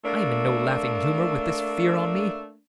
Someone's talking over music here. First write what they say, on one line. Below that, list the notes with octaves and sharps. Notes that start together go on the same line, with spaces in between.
I am in no laughing humor with this fear on me.
A3 A#3 D4